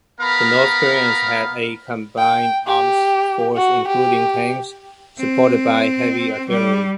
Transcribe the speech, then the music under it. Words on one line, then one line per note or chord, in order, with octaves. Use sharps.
The North Koreans had a combined arms force including tanks supported by heavy artillery.
B3 A#4 F5 A#5 B5
G5
G4
F#4
G4
C4
G3